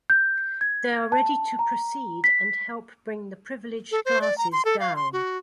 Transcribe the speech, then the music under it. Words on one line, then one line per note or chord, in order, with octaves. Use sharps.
They are ready to proceed and help bring the privileged classes down.
G6
G#6
A5
A#5
B6
A4
C5
D5
A#5
C6
A4
F5
C6
F#4